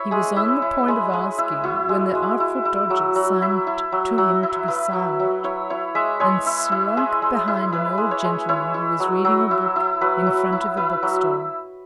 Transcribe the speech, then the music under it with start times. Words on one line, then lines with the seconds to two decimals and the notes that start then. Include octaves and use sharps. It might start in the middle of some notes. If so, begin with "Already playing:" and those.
He was on the point of asking, when the Artful Dodger signed to him to be silent, and slunk behind an old gentleman who was reading a book in front of a book-stall.
Already playing: E4 C#5 E5
0.11 G#3 G#4
0.36 E4
0.62 E4
0.88 G#3
1.13 G#3
1.38 E4
1.64 E4 F#4
1.89 G#3
2.15 G#3
2.40 E4
2.65 E4
2.90 F#3
3.16 F#3
3.42 E4
3.67 E4
3.92 F#3
4.18 F#3
4.43 E4
4.68 E4 B4
4.93 F#3
5.19 F#3
5.44 E4 C#5
5.70 E4 C#5
5.95 G#3 E5
6.20 G#3 C#5
6.46 E4
6.72 E4
6.97 G#3 G#4
7.22 G#3
7.48 E4
7.72 E4 B4
7.98 G#3
8.11 C#5
8.24 G#3
8.49 E4 C#5
8.74 E4
9.00 F#3
9.25 F#3
9.51 E4
9.76 E4
10.01 F#3 B4
10.27 F#3
10.53 E4
10.77 E4 B4
11.03 F#3